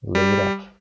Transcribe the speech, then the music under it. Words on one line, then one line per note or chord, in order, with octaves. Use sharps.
Live It Up!
G3